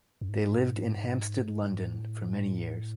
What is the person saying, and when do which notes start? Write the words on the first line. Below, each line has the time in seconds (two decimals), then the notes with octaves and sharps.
They lived in Hampstead, London for many years.
0.21 F#2
0.29 G#2
1.85 A2